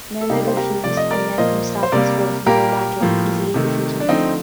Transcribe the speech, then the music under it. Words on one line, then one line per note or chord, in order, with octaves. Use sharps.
Mehmed refused and met Mustafa's forces in battle, easily defeating them.
A4
C3 G3 A#3 D#4 G4
C5
G4 A#4
C3 F3 A3 D5
D#5
A#4 D5
A#2 F3 A#3 C5 D#5
C5
C3 G3 A#3 A#4 D5
A#2 G3 A#3 G4 A#4
A2 F3 A#3
C3 D#3 A3
D4
D3 F3 A3 C4 D#4